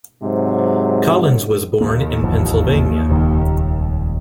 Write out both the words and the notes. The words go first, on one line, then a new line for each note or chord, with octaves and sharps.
Collins was born in Pennsylvania.
G#2 C3 F#3
D#2 A#3
G#1 E2 F3
D#1 C#2 D#3